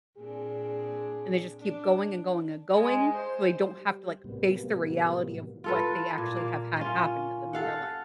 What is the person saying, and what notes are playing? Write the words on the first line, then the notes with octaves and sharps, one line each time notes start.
and they just keep going and going and going so they don't have to, like, face the reality of what they actually have had happen to them in their life.
A#2 C4 D4 G#4
D4
G#3
C5
G3
A2 C3 F#3 G3 A#3 B3
F4 A4 B4
A#2
A#3
C#4 F4
A4 F5 F#5